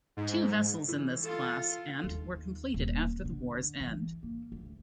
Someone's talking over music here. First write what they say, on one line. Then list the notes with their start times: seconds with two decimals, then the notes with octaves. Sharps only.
Two vessels in this class- and -were completed after the war's end.
0.17 G#2
0.88 E3
1.23 F4 A4
2.04 D#2
2.74 D#1
3.25 D3
3.80 E3
4.23 A#3
4.52 D2